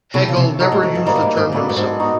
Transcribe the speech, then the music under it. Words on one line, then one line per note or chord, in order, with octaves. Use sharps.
Hegel never used the term himself.
C3 E4 A4 C#5
C#3
C3
G#2 D#4 F#4 A4
A2
G#2
G2
G#2 G3 A#3 D#4
G2
G#2
G#2
A2 B3 D4 F#4 A4
G2
G#2
B3 D#4 F#4